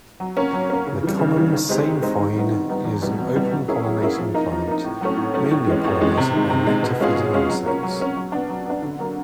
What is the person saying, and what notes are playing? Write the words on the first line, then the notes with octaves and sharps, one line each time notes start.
The common sainfoin is an open pollinating plant, mainly pollinated by nectar feeding insects.
F#3
A#3 C#4
F#3
A#3 C#4
C#3
E3 G3
C#3
E3 G3
D#3
G#3 C4 D#4 G4
D#3
G#3 C4 D#4 G4
D#3
G3 B3 D#4
D#3
G3 B3 D#4
E2
B2 G3 B3 E4
E2
B2 G3 B3 E4
F#3
A#3 C#4 E4 G#4
F#3
A#3 C#4 E4 G#4
F3
A#3 D#4
F3
A#3 D#4
A2
F#3 A3 C#4
A2
F#3 A3 C#4
A2
E3 G#3 C#4
A2
E3 G#3 C#4
C3
D#3 G#3
C3
D#3 G#3
B2
G#3 C#4 F4 G#4
B2
G#3 C#4 F4 G#4
F#3
A#3 C#4
F#3
A#3 C#4
F#3
B3 D4
F#3
B3 D4
D3
F#3 A#3